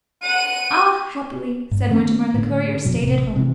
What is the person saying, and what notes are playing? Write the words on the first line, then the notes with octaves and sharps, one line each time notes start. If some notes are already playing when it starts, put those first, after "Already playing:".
"Ah, happily," said Winterbourne, "the courier stayed at home."
F#5 D#7
G2
D#3 A3 B3 C#4
A2 D3
F2 B2 F#3
A1 C3
C3 E3